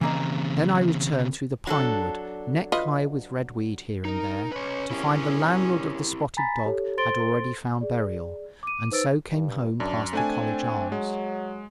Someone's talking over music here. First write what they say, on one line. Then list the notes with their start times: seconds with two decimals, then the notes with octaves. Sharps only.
Then I returned through the pine wood, neck-high with red weed here and there, to find the landlord of the Spotted Dog had already found burial, and so came home past the College Arms.
0.01 C#3 E3 A#3 C4 D#5
1.67 F#3 D4 A4
2.72 F4 B4 D#5
4.05 D#4 A#4
4.51 C#4 B4 C#5
4.91 E4 G4 A#4
6.37 G#5 A#5 B5 A6 B6
6.66 G4 A4 C#5
6.97 A4 C5 C6 A6 D7 G7
7.81 G#4 D5
8.63 D6 D#7
8.91 D#4 B4 C5 E6 A6 D7
9.31 G2
9.80 F#2 D4
10.13 A3 C4 D4 G#5
10.92 F#3 G#3